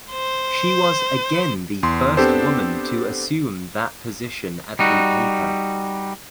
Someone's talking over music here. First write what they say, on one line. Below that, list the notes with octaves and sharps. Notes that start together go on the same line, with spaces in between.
She was again the first woman to assume that position at the paper.
C5
E2 C6
B3 C4 D4 G4 A4 C5
G3 D#4 F#4